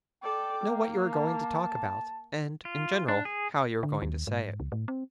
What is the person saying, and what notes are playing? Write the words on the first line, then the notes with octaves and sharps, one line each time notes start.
Know what you are going to talk about, and, in general, how you are going to say it.
A4 D5 G5
A#3
A5
F4
D4
G#4
D3
D#2
G#2
C#2
A2
C4